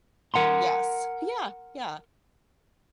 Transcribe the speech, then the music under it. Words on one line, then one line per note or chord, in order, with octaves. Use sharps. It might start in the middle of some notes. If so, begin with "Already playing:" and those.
Y yes, yeah, yeah.
A#4 F#5 A#5 C6